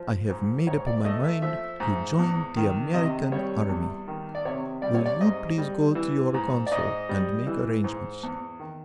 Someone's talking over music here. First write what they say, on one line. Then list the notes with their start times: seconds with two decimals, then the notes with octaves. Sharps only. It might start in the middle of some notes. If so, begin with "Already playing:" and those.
I have made up my mind to join the American army. Will you please go to your Consul and make arrangements?
Already playing: F3
0.30 G#2
0.67 G#2 C#5
0.87 D5
1.05 A3 D#5
1.24 E5
1.42 F3 E5
1.80 G#2
2.19 E2
2.57 D#3
2.93 C3 D#5
3.32 G3 C#5
3.69 E2
4.08 D#3
4.35 D5
4.45 C3 C#5
4.82 G3 D5
4.95 C#5
5.06 D5
5.21 G#2 D#5
5.58 G3
5.95 E3
6.34 G#2
6.67 D5
6.71 G#2 D#5
7.09 G3
7.47 E3
7.84 G#2
8.23 E2
8.60 D#3